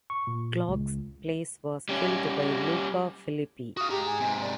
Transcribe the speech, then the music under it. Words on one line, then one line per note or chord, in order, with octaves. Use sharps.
Glock's place was filled by Luca Filippi.
C#6
A#2
C#2
G3 C#4
F#4 F5 D#6
G4 G#4 A#5
G#5
G#2 C3
D5